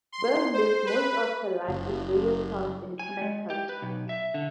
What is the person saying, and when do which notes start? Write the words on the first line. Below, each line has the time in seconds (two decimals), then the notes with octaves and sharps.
Bertin lived most of her life in various towns in Connecticut.
0.12 C6
0.54 C5
0.86 B4
1.68 F#1
2.99 G#5
3.22 G#3
3.50 G4
3.69 B4
3.82 B1
4.09 E5
4.34 D3